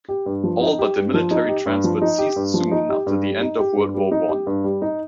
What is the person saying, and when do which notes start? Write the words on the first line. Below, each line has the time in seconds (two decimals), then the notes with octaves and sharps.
All but the military transport ceased soon after the end of World War One.
0.09 G4
0.26 G2
0.44 F3
0.61 D#4
0.79 G4
0.97 G2
1.14 F3
1.31 D#4
1.49 G4
1.66 G2
1.84 F3
2.02 D#4
2.18 G4
2.36 G2
2.54 F3
2.72 D#4
2.89 G4
3.07 G2
3.24 G3
3.41 D#4
3.59 G4
3.76 G2
3.94 G3
4.12 D#4
4.29 G4
4.47 G2
4.64 G3
4.82 D#4